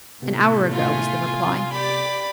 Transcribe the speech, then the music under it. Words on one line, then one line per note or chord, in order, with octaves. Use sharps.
"An hour ago," was the reply.
A2 C3 A3 B3
F4 G#5
G4 D5 B5 D6 A6